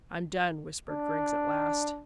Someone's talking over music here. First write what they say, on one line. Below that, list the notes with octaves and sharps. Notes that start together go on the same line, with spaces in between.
"I'm done," whispered Griggs at last.
D4